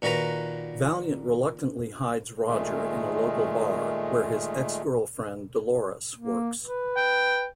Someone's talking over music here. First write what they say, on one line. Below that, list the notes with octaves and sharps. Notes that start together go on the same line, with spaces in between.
Valiant reluctantly hides Roger in a local bar where his ex-girlfriend, Dolores, works.
A#2 D#3 F#4 B4 A#5
A#2 D#3 G#3 A3
A#3
B4
G5